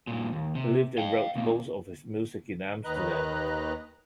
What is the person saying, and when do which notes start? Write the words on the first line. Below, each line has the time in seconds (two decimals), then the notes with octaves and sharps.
He lived and wrote most of his music in Amsterdam.
0.07 G2 A#2
0.33 D#2
0.55 C3
0.98 F5 G5
1.36 D2 A#3
2.85 D#2 D#3 B4 D#5 A#5 F#6